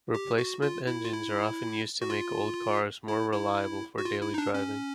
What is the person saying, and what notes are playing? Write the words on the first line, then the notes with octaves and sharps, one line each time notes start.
Replacement engines are often used to make old cars more reliable for daily driving.
G4
F#4
F4
E4
F4
E4
F#4
F4
E4
E4
F#4
F4
E4
D#4
D4
C#4